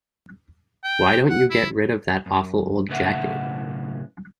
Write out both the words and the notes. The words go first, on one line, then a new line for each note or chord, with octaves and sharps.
Why don't you get rid of that awful old jacket?
G5
F#5
E4
F#2
B1 A2 C#3 B4 E5 F#5